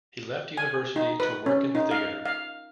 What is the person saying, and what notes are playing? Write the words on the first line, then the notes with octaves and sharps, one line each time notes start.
He left university to work in the theater.
G#5
D#4
B4
C#4
D#4
F5
F5